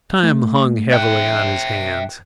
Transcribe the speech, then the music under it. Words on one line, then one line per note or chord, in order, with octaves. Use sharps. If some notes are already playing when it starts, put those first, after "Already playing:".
Time hung heavily on his hands.
A3
E5 G5 F#6